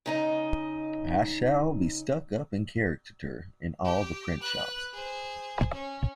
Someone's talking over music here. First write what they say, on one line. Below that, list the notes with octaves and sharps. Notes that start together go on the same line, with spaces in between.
I shall be stuck up in caricatura in all the print-shops.
C#3 D#4 D#5
G4
B4 F#6
G#4 C5
C#4